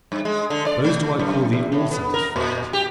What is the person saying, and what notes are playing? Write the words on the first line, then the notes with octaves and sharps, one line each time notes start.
Those do I call the all-satisfied.
G2
G#3
D3
D5
A3
F#2
E2
A2
B3
A#4
A#2
G4